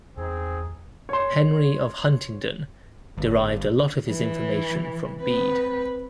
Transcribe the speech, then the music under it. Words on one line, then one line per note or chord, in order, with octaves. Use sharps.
Henry of Huntingdon derived a lot of his information from Bede.
E2 C4 D#4 G#4
C#5 C6
G1
E3
C4 B4